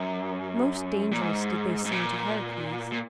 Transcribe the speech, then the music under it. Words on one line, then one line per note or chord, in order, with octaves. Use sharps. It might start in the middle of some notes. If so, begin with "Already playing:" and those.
Most dangerous did they seem to Heracles.
Already playing: F#2
A#2
G#2
G#2
A#2
A#2